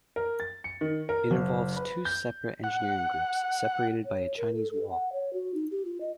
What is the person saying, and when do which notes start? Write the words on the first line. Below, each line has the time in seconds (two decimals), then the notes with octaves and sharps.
It involves two separate engineering groups separated by a Chinese wall.
0.16 A#4
0.40 A6
0.64 C#7
0.81 D#3
1.09 A#4
1.31 F#1
1.77 B4
2.05 G6
2.64 F#5
4.03 C#5
4.37 A#4
4.54 A4
4.71 A4
4.90 F#5
5.12 C#5
5.33 F#4
5.54 D#4
5.71 G4
5.85 F4
6.01 D#5